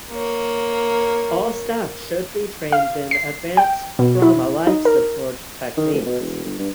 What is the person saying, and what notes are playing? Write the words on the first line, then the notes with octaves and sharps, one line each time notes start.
All staff should be trained in Advanced Trauma Life Support techniques.
A#3 C#5
F5
C7
G5
B2
E4
D#4
A#4
D#3
F1
B2
E1
G1
G2